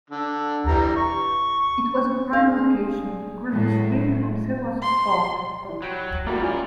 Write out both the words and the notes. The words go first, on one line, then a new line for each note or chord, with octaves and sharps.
It was a prime location, across the street from Seward Park.
D3
E3 G3 A#5
C#6
D4 G#4 F5
A2 F#3 G#3
C6
E3 G3
F#3 G5 B5
G#2 E3 G3 A3 A#3 F#4 A#4
F#2 G3 F4 G4 A#4 G#5